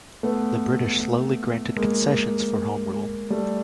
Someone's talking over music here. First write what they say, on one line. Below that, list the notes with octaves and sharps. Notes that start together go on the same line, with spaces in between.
The British slowly granted concessions for home rule.
A3 B3
G#3 A#3
G3 A3